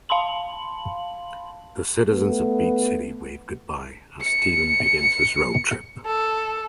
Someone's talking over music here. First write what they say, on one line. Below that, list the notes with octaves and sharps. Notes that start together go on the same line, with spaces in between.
The citizens of Beach City wave goodbye as Steven begins his road trip.
F5 A5 B5 C6 F#7
A3 B3
C#7
A4